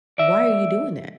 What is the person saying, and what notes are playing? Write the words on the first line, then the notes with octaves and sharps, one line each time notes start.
why are you doing that?"
D5 E5